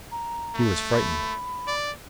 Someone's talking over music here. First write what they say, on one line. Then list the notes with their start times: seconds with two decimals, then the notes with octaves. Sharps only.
He was frightened.
0.11 A#5
0.55 A3
0.93 B5
1.68 D5